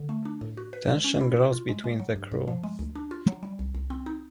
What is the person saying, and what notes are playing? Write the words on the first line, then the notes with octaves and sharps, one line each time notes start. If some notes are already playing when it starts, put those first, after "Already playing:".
Tension grows between the crew.
Already playing: D3
A3
D4
A2
F#4
B4
G#3
C#4
E4
B2
F4
G#3
G#3
F#3
G2
G2
F3
G#3
D2
D4
F4
F#3
G3
C2
C2
C4
D#4